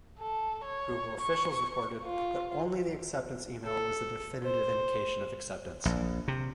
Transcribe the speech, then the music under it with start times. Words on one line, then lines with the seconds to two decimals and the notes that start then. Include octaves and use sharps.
Google officials reported that only the acceptance email was the definitive indication of acceptance.
0.19 A4
0.64 C#5
1.21 C#6
2.04 F4
3.64 A4
4.43 C5
5.85 A#1
6.28 C3